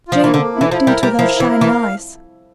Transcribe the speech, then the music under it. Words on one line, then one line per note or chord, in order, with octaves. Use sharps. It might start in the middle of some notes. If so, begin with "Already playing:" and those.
Jane looked into those shining eyes.
F3 F4
E3 A#3
D3
A#3
E4
E3
F3 E4
G3 A#4
G3 A#4
F3 E4
E3 E4
A#4
E3
F5